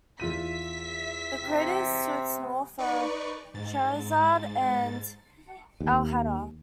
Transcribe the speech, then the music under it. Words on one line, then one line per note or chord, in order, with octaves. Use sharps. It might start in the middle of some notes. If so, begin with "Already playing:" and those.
The craters to its north are Shahrazad, and Al-Haddar.
E2 F4 E5 B6 D#7
C3
D#4 B4 D5 C#6
G#2 A6
D#2